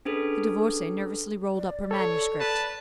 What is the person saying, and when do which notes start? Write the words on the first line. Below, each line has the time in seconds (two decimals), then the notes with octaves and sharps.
The Divorcee nervously rolled up her manuscript.
0.05 C#4 D4 G#4 A4 B4
1.56 D5
1.91 A4 C#5 D5
2.40 B4 D5 A5